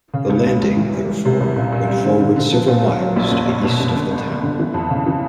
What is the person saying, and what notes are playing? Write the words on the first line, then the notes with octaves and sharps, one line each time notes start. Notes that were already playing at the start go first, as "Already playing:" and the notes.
The landing, therefore, went forward several miles to the east of the town.
C#3
C#2
C#2
C#2
E3
G3
G3
C3
C2
A#2
A#2
G3
D3
D3
D3
F3
A#2
F#3
F#3
A#1
F#1
F#1
B2
F#1
D3
G1
G1
D3
E3
F2
C#3
E3